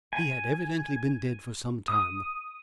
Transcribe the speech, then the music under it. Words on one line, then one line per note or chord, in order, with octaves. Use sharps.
He had evidently been dead for some time.
G#5
D#6